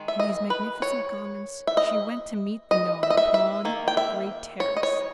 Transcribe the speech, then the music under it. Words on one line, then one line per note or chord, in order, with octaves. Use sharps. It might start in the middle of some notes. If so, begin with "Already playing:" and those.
In these magnificent garments she went to meet the gnome upon the great terrace.
Already playing: D#3 G#3
E5
D#5
B4
C#5
E5
D#5
D#5
E5
D#5
E5
E5
D#3 A#3
G5
E5
C#5
D#5
C#5